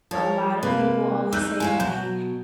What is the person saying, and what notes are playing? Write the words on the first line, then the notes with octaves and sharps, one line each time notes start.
a lotta people always say, like
F3 A#4 C#5
C3 A#3 B4
D#4 E6 F#6 G6
G#3 E4 C#5 F5 G#5
B2 F#3 G6